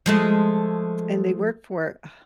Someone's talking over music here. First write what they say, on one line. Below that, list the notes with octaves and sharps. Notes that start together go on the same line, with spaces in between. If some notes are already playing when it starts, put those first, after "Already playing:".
and they work for, ugh,
F3 G#3 A3